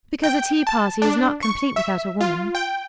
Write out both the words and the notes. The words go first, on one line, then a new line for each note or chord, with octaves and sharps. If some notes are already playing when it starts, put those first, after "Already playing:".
"Because a tea-party is not complete without a woman."
G5
A5
D4
C#6
E5
F4
G5